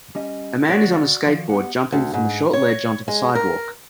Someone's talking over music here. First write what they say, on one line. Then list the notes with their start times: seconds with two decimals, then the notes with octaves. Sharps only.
A man is on a skateboard jumping from a short ledge onto the sidewalk.
0.15 G3 C#4 D#5
0.69 F#4 C#5 D5
0.82 D2
1.27 D#3 F3
1.49 B3 G4 F#5
1.92 D2
2.14 G#2
2.53 C#5
3.08 G#3
3.35 A#4